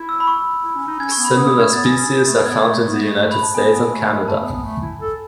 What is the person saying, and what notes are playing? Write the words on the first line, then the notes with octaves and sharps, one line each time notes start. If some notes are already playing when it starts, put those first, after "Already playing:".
Similar species are found in the United States and Canada.
Already playing: E4
E6
B5
C#6
E4
C#4
D#4
C#4 G#6
C#6
B3
B5
B3 D#6
D#6
A3
G#6
B3 A6
C#4
C#4
C#4
A3
B3 G#6
A3
A3
B3
A3
F#6
B5
A5
B3 G#5
B3
A3
A3 A5
B3
B3
A3
E4
A4